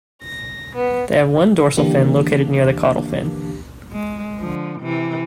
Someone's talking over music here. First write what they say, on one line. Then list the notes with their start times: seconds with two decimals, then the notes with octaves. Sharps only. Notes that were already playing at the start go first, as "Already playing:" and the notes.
They have one dorsal fin located near the caudal fin.
0.23 A#6
0.75 B3
1.77 D3 E3 A#3 D4 G4
3.92 G#3
4.37 D3 F3
4.81 C3 E3